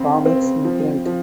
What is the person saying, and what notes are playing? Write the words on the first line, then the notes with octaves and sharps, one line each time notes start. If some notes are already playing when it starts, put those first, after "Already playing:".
Comics imprint.
Already playing: C#3 C4
C4
F3
F3